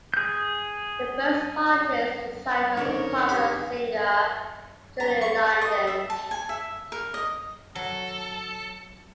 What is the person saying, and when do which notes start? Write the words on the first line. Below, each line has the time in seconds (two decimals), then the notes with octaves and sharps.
The first artist he signed was popular singer Julie London.
0.14 G#4 G6
2.77 F2 C#3 D4 D#4 A#4 C#5 D5
3.29 G4 G#4
5.00 A#5
5.21 C#6
5.61 D#5
5.87 E5
6.10 A5
6.31 G#5
6.49 E5
6.92 A#4
7.14 D#5
7.75 F#3 A4